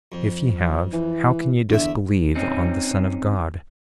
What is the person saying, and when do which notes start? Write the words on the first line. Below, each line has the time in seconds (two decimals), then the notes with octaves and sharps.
If ye have, how can ye disbelieve on the Son of God?
0.12 F2
0.93 E3
1.69 E2 D3 E5
2.35 C4 C#4 D#4